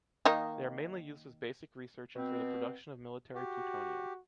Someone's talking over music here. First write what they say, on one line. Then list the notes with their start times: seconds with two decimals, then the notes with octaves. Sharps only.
They are mainly used as basic research and for the production of military plutonium.
0.25 D#3 A#3 D#4
2.16 B2 C4
3.35 F#4 G4